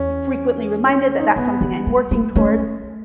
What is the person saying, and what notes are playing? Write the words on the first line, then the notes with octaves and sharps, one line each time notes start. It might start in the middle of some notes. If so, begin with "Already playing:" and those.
frequently reminded that that's something I'm working towards,
Already playing: E2 C#4
C#4
D#4
C#4
F#2 B3
E3
G#3
A3
A3 C#4